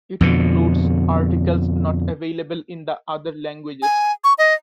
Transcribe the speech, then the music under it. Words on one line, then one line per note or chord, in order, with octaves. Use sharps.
It includes articles not available in the other languages.
F2 B2 D3
G#5
C#6
D#5